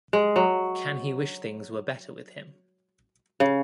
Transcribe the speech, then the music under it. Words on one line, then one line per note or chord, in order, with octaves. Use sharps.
Can he wish things were better with him?
G#3
F#3
C#3